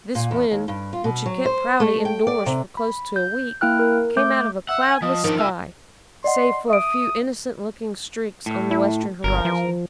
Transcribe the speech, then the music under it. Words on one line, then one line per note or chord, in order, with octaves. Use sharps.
This wind which had kept Prouty indoors for close to a week came out of a cloudless sky, save for a few innocent looking streaks on the western horizon.
A#2
E2
D#2
G2
F4
B2
F#3
C5
A3
G5
D5
C3
B5
G6
A#3 E4 G5 F6 F#6
A#4
A3 D6 G6
E5 F#5
G#5
F3 D#5
D#3 F3 D4
F4 E5 G#5
D5 D#5 F#5 C6
E5 D#6 D7
A2
E4
G1 A#4
F3